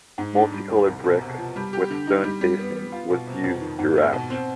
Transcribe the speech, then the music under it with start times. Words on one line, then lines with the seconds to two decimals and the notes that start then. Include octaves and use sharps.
Multi-coloured brick with stone facings was used throughout.
0.18 G#2
0.35 D4
0.52 G3
0.69 D#2
0.87 C2
1.04 B2
1.21 C3
1.38 F3
1.56 G3
1.73 G4
1.90 D3
2.07 D#4
2.24 G3
2.41 G3
2.59 B3
2.76 B3
2.92 F4
3.10 B2
3.27 C3
3.44 F2
3.61 D#3
3.79 G#2
3.96 B3
4.13 B2
4.30 C4